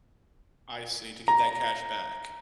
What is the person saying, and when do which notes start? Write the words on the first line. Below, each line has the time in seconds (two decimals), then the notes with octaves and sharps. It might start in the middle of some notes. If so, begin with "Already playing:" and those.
I see, to get that cash back.
1.28 A#5